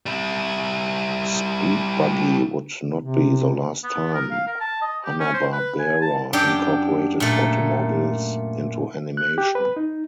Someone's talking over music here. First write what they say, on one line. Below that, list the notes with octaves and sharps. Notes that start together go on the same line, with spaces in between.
"Speed Buggy" would not be the last time Hanna-Barbera incorporated automobiles into animation.
G3 E4
C3
B3
A#4
F5
A#4
A5
D#5
G4
C#4
C5
B4
G#5
A5
F#2 D4 G4 G5
A#2 A3
F#6
G4
B4
D#4